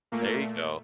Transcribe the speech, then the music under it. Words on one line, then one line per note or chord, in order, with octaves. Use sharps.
There you go.
A#2 A3 A#3